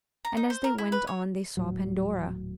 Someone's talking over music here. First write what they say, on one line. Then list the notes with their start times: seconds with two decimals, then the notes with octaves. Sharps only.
And as they went on they saw Pandora.
0.25 A#5
0.37 D#4
0.50 C5
0.64 A#4
0.78 E4
0.92 B4
1.07 C#5
1.57 D#1 A2 F#3